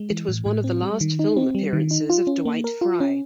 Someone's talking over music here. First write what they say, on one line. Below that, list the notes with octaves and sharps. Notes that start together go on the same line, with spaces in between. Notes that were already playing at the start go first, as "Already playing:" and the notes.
It was one of the last film appearances of Dwight Frye.
Already playing: G#3
E3
A2
A2
C4
G3
D#3
D#4
C4
G3
D#3
D#4
F4
C#4
A#3
A#4
F4
C#4